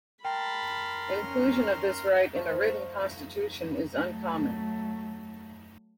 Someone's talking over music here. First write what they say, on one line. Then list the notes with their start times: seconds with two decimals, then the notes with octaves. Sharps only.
Inclusion of this right in a written constitution is uncommon.
0.25 A#4 G5 A5 B5 C6 F6
1.18 C#4
2.35 F3 A3 F5 C6
3.95 F#3 A3